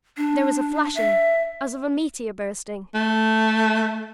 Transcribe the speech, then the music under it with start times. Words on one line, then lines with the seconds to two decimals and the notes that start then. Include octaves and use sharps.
There was a flashing as of a meteor bursting.
0.17 D4
0.95 E5
2.94 A3